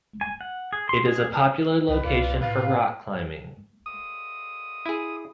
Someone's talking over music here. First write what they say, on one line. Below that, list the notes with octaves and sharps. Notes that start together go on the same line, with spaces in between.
It is a popular location for rock climbing.
G#5
F#5
G#4
C6
G#4
C2 B4
C2 F4 D5
A2 B4 F5
D#6
E4 G#4